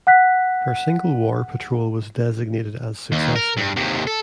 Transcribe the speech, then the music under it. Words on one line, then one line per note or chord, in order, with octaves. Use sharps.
Her single war patrol was designated as "successful".
F#5 F#6 B6
D#2
A#4
G2
D#2 C3
A4